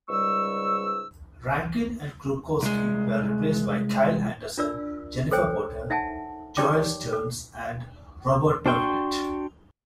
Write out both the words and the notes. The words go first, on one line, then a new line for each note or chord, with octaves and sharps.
Rankin and Krukowski were replaced Kyle Anderson, Jennifer Potter, Joel Stearns and Robert Turknett.
C#2 G#2 G3 C#6 E6
C2 G#3
D4 F4 A#4 D5 E6
A4 A#4 C5 C#5 G5 G#5
D#4 E5 F#5 G#5 A5
D#4 G4 C#5 D5 G5 D6
A4
D4 F#4 G5 C6 C#6